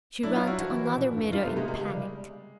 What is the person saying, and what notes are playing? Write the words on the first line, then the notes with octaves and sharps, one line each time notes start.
She ran to another mirror in panic.
F#3 D4 E4
D#4 F4
E4 F#4
F3 E4 F#4
E3
E3
B2
A#2
G2
F#2
G2 D#4 F4
C3 A3 B3
C3 G#3 A#3
C3 G#3
C#3
G3